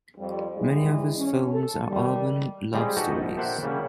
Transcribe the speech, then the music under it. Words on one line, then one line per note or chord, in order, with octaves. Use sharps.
Many of his films are urban love stories.
F2 G3
G#2 E3 G3 G#3
C#4
A4
D#3 G3
G3 G#3 C4 F4 G4 G#4
D#4 F#4 G4 A4 B4
A#1 D#5
G4 A4 A#4 C5 E5 F#5
C#3 G3 A#3 C#4